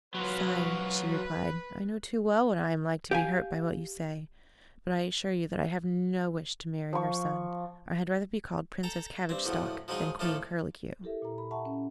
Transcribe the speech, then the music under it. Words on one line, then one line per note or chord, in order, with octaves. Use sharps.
'Sire,' she replied, 'I know too well what I am like to be hurt by what you say, but I assure you that I have no wish to marry your son I had rather be called Princess Cabbage-Stalk than Queen Curlicue.'
F#3 F4 B4
G4 F5 G#5
F3 C#6
A4 G5 A#5
G2 C4
E2 A2 F3 F#3
F3 F#3 G#3 D#4 G#4
A2 F3 A#3 F4 A4
E4 G4 A4 A#4 E5
A#2 E4 A#5
B5
E5 F#5 A5 A#5 C#6
C#4